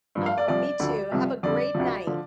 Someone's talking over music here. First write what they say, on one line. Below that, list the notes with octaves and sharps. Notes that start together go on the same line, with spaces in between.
Oh, me too. Have a great night.
G2 F3
F5
D5
C2 C3 F3 D5
D2 D3 F3
C2 C3 F3
F2 D3 G3 D5
D2 C3 F3
D3 F3